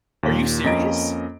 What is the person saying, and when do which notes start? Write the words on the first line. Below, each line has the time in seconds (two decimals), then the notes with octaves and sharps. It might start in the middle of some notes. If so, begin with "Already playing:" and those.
Are you serious?
0.23 D#2 A#2
0.64 F2 A#3 C#4 D#5 A#5 D7